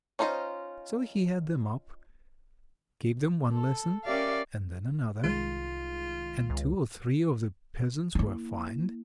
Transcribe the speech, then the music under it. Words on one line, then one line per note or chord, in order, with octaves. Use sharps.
So he had them up, gave them one lesson, and then another, and two or three of the peasants were fined.
C#4 D#4 F4 C5 D#5
A4
C#4 G4 A#4 D5 E5 F5
C2 D#3 G#3 F4
C#2
A#3 E4